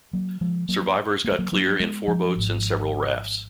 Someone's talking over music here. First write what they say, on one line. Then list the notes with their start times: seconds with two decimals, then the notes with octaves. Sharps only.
Survivors got clear in four boats and several rafts.
0.13 F#3 A#3
0.41 F3 G#3
0.69 F#3 A#3
1.24 A#3
1.32 G#3
1.39 F#3 A#3
1.52 F#3 A#3
1.80 G#3 B3
2.08 F3 G#3
2.36 G#1 G#2